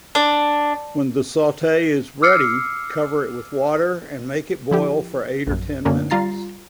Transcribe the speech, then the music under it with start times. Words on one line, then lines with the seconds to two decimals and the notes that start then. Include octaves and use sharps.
When the sauté is ready cover it with water and make it boil for eight or ten minutes.
0.15 D4
2.22 D6 E6 F6 C7 C#7
4.71 F3 E4 G4
5.47 A#1 F#2
5.85 F#2 D3 A#3 C#4 D4
6.10 G3 F4 A#5 A6 C7